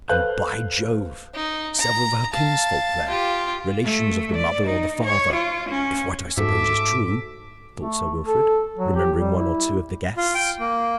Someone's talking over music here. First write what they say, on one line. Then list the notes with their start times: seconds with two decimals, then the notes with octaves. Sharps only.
"And, by Jove! several of her kinsfolk there, relations of the mother or the father, if what I suppose is true!" thought Sir Wilfrid, remembering one or two of the guests.
0.09 A4 B4 C5 F5 F#6 G6
1.34 D#4
1.78 A#5
2.33 F5 A5
3.09 F4 G4
3.84 A3
4.35 D5
4.66 D#4
5.04 C#5
5.33 F4
5.70 C#4
6.37 G#2 F#4 A4 E5 D6
7.79 A3
8.27 A4
8.78 F#3
8.96 G4
9.20 G3
9.38 E4
10.17 F4
10.35 G5
10.59 A#3